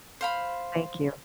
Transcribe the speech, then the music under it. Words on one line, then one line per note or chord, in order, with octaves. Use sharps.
Thank you.
C5 F5 B5